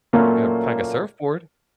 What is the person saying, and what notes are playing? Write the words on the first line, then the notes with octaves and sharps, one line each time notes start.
Gotta pack a surfboard.
A#2 F#3 A3 A#3 C#4 F4